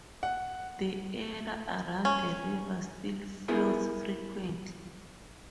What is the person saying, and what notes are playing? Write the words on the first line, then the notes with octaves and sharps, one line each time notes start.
The area around the river still floods frequently.
F#5
C#4
B3 E4 G#4 A#4